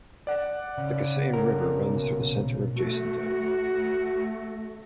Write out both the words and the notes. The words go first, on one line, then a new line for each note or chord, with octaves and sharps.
The Kesang River runs through the center of Jasin Town.
D5 F#5
C#3
A#4
A#1 B2
A3 F#4